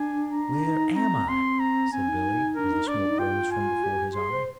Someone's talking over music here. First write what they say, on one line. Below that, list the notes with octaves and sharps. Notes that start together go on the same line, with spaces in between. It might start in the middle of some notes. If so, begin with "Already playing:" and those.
"Where am I?" said Billy, as the smoke rose from before his eye.
Already playing: D4 G#5
A#5
D#4
C4 A#5
C4 C6
A#5
C4 G#5
D#4
D4 A#4
D#4
D4 D5
D4
D#4
F4 G5
G#5
G4
G#4 C6
C5